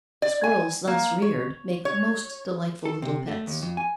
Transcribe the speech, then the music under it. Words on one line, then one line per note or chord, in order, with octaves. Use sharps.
Squirrels thus reared make most delightful little pets.
D5
G#5
A#3
C#5
C#5
A4
C3
A3
D#2
F2
G#5